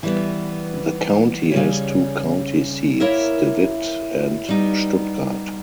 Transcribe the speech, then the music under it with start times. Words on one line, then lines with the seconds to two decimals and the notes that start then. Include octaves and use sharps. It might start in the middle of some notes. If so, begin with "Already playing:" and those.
The county has two county seats, De Witt and Stuttgart.
0.03 E3 G3 B3
1.52 C#3 G3 C#4
3.00 A#3 E4 A#4 C#5 E5
4.49 G3 B3 D#4